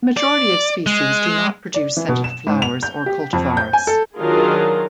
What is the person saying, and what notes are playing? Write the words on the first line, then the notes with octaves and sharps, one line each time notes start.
The majority of species do not produce scented flowers or cultivars.
D5
G#3
D5
E3
B2
E7
G#2
F7
G6
G4
F2
G6
G#5
A4
D#3 F#3 D4 F4 G#4 A#4